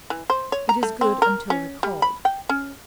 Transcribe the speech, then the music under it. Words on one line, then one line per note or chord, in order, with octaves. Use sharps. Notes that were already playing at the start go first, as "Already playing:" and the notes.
It is good, until recalled.
E3
C5
C#5
A#5
A3
C4
A#4
C#4
G3
B5
G5
C#4